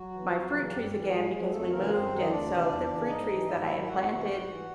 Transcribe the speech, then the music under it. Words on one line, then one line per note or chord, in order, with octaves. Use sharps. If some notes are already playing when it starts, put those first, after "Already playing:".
my fruit trees again because we moved and so the fruit trees that I had planted
Already playing: F#3 F#4
E3
F2
C#3 E3
F#4
G2 G3 G4
E3
A2 G#3 G#4
F3
F2 A3 A4
C#3 E3 A#3 A#4
F#2 C4 C5
D#3 F#3
D#5
D2 D4 D5
C3 E3
E2
C#3 E3
G#2 D#4 D#5
E3
G#2 E4 E5
D#3 F#3
F2 F#4 F#5
C3 E3
G#2
E3